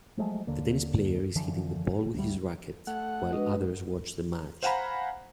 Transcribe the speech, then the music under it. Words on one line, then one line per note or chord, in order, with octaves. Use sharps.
The tennis player is hitting the ball with his racquet, while others watch the match.
F3 F#3 G#3 A3
D#2 D3 A#3
F#2 D3 E3 F3
D2 G3
A3 F#5
G#3 D4 F#4 B4 D#5
C5 F5 F#5 G#5 A#5 B5